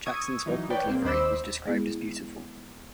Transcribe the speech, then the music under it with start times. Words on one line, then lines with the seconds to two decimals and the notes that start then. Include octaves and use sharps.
Jackson's vocal delivery was described as beautiful.
0.06 C#6 D#6 E6 G#6
0.46 E3 F#3 D#4
0.70 B4 C#5 D5 G5
0.86 A#1 A#3 C4
1.04 D#2 C5 D#5 B5 D6 E6
1.66 G#3 B3 E4 G#4